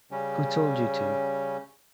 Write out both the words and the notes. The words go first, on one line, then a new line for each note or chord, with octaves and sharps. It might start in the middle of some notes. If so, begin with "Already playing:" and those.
Who told you to?
C#3 G3 C#4